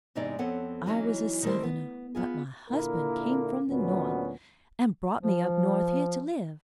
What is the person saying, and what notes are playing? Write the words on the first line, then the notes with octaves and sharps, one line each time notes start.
I was a Southerner, but my husband came from the North, and brought me up North here to live.
E2 G#2 C3 D#4 G#4 D5
F2 B3 C4 A4 C#5 F#5
E3 F#3 G3 C#4 D#4
D#3 G3 A3 C4 A#4 C5
B3
B3 F4 G#4
A#2 D3 A#3 E4 A#4
D2 A#2 F#3 B3 C#4
F3